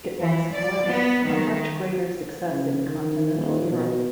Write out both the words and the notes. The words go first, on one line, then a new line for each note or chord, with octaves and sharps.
It was, however, a much greater success in Continental Europe.
E3
D5
B3
D#3
C#3
D#3
D#1
B2